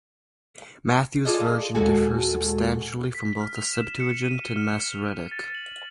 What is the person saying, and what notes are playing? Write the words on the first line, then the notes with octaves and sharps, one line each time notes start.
Matthew's version differs substantially from both the Septuagint and Masoretic.
F4 G#4 A4 D5 D#5
D#2 A#2 G#3 F#4 A4 G#5
B6
F6
F7
E7
C#7
D#7
G7
F6
F7
A6
F#7